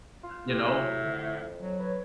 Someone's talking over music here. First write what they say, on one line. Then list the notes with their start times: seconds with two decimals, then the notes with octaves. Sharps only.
you know,
0.23 F4
0.47 A2 C3 G4
0.64 F#3 E5
1.04 F2 D3
1.61 F#3
1.79 B4 C#5